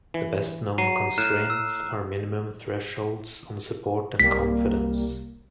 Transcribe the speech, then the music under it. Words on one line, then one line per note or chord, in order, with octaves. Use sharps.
The best-known constraints are minimum thresholds on support and confidence.
E3
F#3 A#5 C7 D#7
A2 F6 F#6 E7
E6
C2 G3 A#3 B6